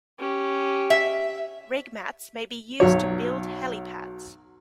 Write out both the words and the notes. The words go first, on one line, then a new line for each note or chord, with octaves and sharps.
Rig mats may be used to build helipads.
C#4 G4
E5
B1 F#3 C#5